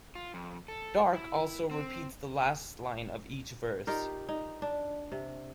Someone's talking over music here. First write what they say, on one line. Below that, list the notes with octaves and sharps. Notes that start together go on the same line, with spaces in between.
Darke also repeats the last line of each verse.
F4
F2
A4
E4
C4
D#4 F4 G4 A#4
D#4
D4
C3